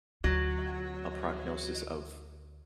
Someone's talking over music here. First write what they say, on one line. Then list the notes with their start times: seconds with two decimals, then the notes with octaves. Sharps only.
a prognosis of
0.24 D2 F#3 F4